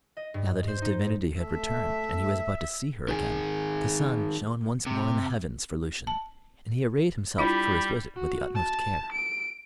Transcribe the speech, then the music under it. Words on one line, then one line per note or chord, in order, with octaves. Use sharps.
Now that his divinity had returned, and he was about to see her again, the sun shone once more in the heavens for Lucian, and he arrayed himself for his visit with the utmost care.
D#5
G2
C5
D#4
A3 E5
D#3 G#4
C3
A5
G3 D4 E4 F4 B5
F#4
A5
D7